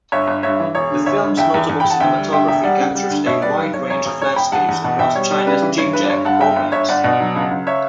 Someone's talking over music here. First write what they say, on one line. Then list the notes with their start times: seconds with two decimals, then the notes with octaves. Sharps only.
The film's notable cinematography captures a wide range of landscapes across China's Xinjiang province.
0.12 G1 C#5 E5
0.28 G1
0.43 G2 C#5 E5
0.60 E3
0.75 E1 C#5
0.91 D3
1.06 D2 C#5 E5
1.23 D2
1.37 E2 E5 G5
1.54 E2
1.69 E2
1.80 G5 B5
1.84 E2
1.90 F#5 A5
2.00 D2 E5 G5
2.17 G3
2.32 D2 E5 G5
2.48 E1 E5 G5
2.64 G3 D5 F#5
2.80 C#3
2.95 G3
3.10 D2
3.26 B2 C#5 E5
3.42 G3 B4 D5
3.57 B1 B4
3.73 B1 C#5
3.90 E1 C#5
4.05 E1
4.21 E1 C#5
4.36 E1 G5 B5
4.52 E2 F#5 A5
4.69 E2
4.84 B2 F#5 A5
4.99 B2 E5 G5
5.15 G3 C#5
5.31 G3
5.46 C#3 B4 D5
5.62 E3
5.78 G2 C#5
5.93 G2 B4
6.04 D5
6.10 G1 C#5
6.25 G2 F#5 A5
6.41 G1 E5 G5
6.56 G1
6.72 G1 C#5 E5
6.89 G1 D5 F#5
7.03 B2 D5 F#5
7.20 F#3
7.36 C#2
7.51 C#2
7.67 C#5 E5